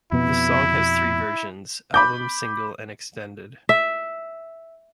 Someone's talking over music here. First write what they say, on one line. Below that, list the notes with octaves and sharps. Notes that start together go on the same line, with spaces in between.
The song has three versions: album, single and extended.
F2 B2 B3 E4
B5 D6 G6
E5